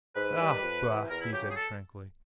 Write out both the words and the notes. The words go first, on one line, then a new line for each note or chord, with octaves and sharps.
"Ah, bah!" he said tranquilly.
G#2 B4
D#3 G3
F2
C3 E3
E2 A#4
E4
C#3 F#3 G4
G4
G#4
A4